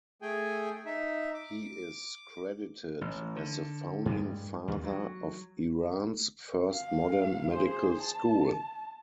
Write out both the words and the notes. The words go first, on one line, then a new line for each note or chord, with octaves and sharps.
He is credited as the founding father of Iran's first modern Medical School.
A3 G#4 G5 G#5
D#4 E5
D6
A1
D3
G2 G3 G#3
D#2
F#3
F5
G#4 C5
A5